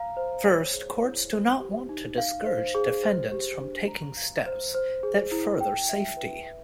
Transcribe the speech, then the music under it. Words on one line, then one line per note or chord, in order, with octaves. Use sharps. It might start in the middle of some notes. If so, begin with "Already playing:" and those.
First, courts do not want to discourage defendants from taking steps that further safety.
Already playing: F5 A#5
C5
C#5
G#4
E4
C5
G4
D#4
F5
C5
G#4
C5
G4
D4
A#5
F5
C5
C5
G#4
E4
G5
E5
B4
E5